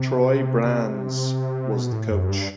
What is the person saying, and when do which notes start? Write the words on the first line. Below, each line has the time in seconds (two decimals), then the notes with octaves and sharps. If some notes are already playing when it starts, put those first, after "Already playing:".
Troy Brandes was the Coach.
Already playing: C3
0.64 C3
1.74 B2
1.92 A2
2.11 F#2
2.29 G2